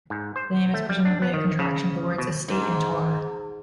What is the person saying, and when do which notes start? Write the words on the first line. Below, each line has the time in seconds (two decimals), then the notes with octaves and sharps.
The name is presumably a contraction of the words 'estate' and 'tourer'.
0.10 G#2
0.36 C5
0.74 A3
0.89 G3
1.05 D4
1.22 B3
1.34 D#3
1.59 C#3
2.18 B2
2.48 G#2